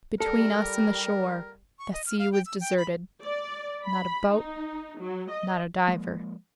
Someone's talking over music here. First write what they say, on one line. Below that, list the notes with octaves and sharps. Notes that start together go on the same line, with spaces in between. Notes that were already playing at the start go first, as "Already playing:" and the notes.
Between us and the shore, the sea was deserted. Not a boat, not a diver.
G3 A4 A#4
C#6
D#5
F6
F5
G5
E6
G5
B5
D5
B5
D#4
F#3
D#5
F3 G#3 A#3